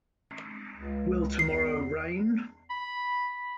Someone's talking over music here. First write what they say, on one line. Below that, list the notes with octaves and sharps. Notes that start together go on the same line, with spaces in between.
Will tomorrow rain?
C#2
E2 C7
B5